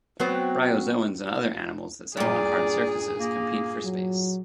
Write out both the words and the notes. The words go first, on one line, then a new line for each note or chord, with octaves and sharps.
Bryozoans and other animals that settle on hard surfaces compete for space.
F#3 B3 C4
G2 A#2 G#4 D5
A#3
F#3